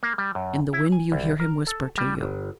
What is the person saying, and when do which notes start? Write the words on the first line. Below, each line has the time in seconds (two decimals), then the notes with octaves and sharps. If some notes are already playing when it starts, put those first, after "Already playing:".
In the wind you hear him whisper to you.
0.03 A#3
0.18 G3
0.35 F#2
0.73 E4
0.92 G#5
1.12 C2
1.40 A#4
1.67 A4
1.98 G3
2.21 G1